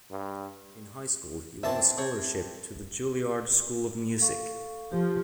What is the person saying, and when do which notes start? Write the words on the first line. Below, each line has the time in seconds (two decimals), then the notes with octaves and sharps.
In high school, he won a scholarship to the Juilliard School of Music.
0.11 G2
1.63 C3 E3 D4 E5 A5
1.98 C4 C#5
4.20 A4 F5 C#6
4.92 F3 G4